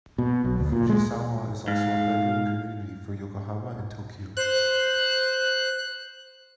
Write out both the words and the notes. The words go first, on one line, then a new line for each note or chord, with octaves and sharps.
Fujisawa is also a bedroom community for Yokohama and Tokyo.
B2
B1
D2
A#2
G#3
G#2 F5
C5 F#6